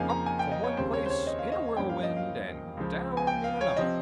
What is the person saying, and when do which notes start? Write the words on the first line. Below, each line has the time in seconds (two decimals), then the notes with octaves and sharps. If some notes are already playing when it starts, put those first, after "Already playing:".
Up from one place, in a whirlwind, and down in another.
Already playing: F2 C#3 F3 A#3 D#4 F5 G#5
0.09 A#5
0.26 G#5
0.39 G5
0.51 D#5
0.64 C#5
0.77 D#2 C#3 G3 C4 C5
0.93 C#5
1.06 C5
1.10 C#5
1.27 D#5
1.39 F5
1.52 D#5
1.77 G2 F3 A#3 C#4 G5
1.89 F5
2.03 D#5
2.17 F5
2.77 C#2 C#3 F3
3.17 G#5
3.27 G5
3.44 F5
3.61 C#5
3.76 C3 F3 C4 D#5